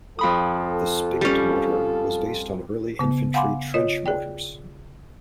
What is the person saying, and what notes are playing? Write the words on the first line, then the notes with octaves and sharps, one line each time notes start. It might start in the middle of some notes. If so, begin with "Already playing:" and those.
The spigot mortar was based on early infantry trench mortars.
F2 F3 F4 A4 B5 D#6
G3 C#4
C#3 B3
F5 F#5 G#5 B5 C6 D6
F4 C#5 D#5
G#4 D5 G5